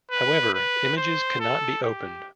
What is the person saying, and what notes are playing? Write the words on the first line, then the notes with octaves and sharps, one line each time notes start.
However, images cannot be opened.
B4
B4
C5
A4
G4